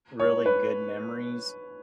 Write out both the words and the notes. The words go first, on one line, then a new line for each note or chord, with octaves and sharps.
really good memories,
C#5
B4